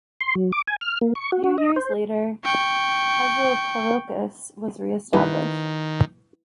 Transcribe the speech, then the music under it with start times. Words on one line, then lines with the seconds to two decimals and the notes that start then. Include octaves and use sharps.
Few years later, Pezoporikos was re-established.
0.21 C6
0.35 F#3
0.52 D6
0.67 G#5
0.81 F6
1.01 A#3
1.15 C#6
1.32 F#4
1.44 F#4
1.58 D#5
1.76 C5
2.45 G5 C#6
5.13 G2 D#3 E4 B4